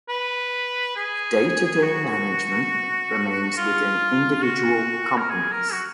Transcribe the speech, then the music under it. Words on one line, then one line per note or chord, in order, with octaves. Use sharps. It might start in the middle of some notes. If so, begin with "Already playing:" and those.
Day-to-day management remains within individual companies.
B4
G#4
F#4
F4
F#4
A#4
G#4
A#4
F#4